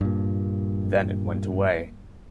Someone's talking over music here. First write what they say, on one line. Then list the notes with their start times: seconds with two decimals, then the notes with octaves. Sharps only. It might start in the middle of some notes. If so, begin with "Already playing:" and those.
Then it went away.
0.01 G2 A#2